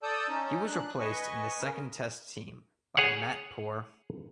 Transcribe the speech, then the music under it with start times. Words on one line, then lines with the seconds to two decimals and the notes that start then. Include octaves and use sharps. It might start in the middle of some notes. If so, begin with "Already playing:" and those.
He was replaced in the Second Test team by Matt Poore.
0.03 A4 D5 A5 D#6 E6 G6
0.29 C#4 D#4
0.66 D4 F#6
0.99 B4 D#5 G#5 C#6
1.60 C#3 C#4 A#4
2.97 G#4 C#5 F#5